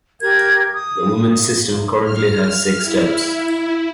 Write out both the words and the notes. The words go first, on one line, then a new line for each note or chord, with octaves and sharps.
The women's system currently has six steps.
G4 A#4 G#6
D#6
F6
E4